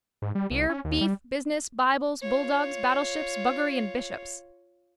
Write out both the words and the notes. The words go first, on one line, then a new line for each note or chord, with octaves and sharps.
Beer, beef, business, bibles, bulldogs battleships, buggery and bishops.
G#2
G3
C2
C#4
D#2
G3
F4 C#5